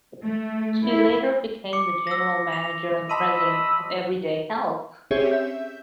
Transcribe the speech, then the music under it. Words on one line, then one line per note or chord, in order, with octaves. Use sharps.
She later became the general manager and president of Everyday Health.
A3
E4
D6 C#7
E6 A#6
F7
D#5 A5 B5 C6 E6 D#7
C4 C#4 G4 G#4 C#5 E5
E5 G6